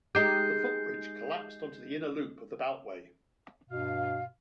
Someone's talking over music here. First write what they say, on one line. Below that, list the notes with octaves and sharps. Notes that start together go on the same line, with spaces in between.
The footbridge collapsed onto the inner loop of the Beltway.
G#3 D#4 G4 G6 C7
G2 B2 F5